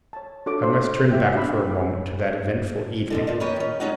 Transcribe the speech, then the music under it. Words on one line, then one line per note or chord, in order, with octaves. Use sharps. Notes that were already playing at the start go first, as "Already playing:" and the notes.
I must turn back for a moment to that eventful evening.
C#5 A5
D4 F#4 A4 C#5 D6
C5
C5
F#4 G4 E5 G5
D4 G4 D5 G5 B5 E6
G#2 B2 D3
A#2 D3 F3
A#3 G4 B4 C#5 D#5
D#3 C#4
G3 G#3 C#4 D#4 C#5 F#5